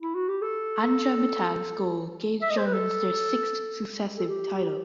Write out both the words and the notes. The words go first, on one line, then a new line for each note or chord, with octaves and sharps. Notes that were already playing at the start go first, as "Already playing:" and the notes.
Anja Mittag's goal gave the Germans their sixth successive title.
E4
F#4
G4
A4
E5
D#5
C5
B4
A4
A4
G4